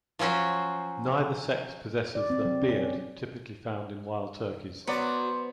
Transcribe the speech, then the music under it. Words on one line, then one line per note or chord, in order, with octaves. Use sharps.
Neither sex possesses the "beard" typically found in wild turkeys.
F3 F#3 C#4 F#4 C5
D5
C4
F#3
C#4
F#3 B3 C5 D5